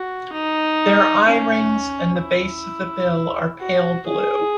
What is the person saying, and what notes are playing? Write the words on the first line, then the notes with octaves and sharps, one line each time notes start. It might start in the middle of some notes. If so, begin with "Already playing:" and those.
Their eye-rings and the base of the bill are pale blue.
Already playing: F#4
D#4
C#4
E4
F#4
G#4